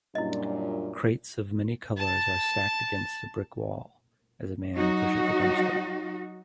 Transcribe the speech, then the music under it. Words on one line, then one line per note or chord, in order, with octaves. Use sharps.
Crates of many colors are stacked against a brick wall, as a man pushes a dumpster.
F#2 A#2 G3 D4 E4 D#5
A5 A6
F#3 D#4 F#4